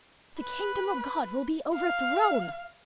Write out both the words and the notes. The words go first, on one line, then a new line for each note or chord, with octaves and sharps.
The kingdom of God will be overthrown...
B4
F5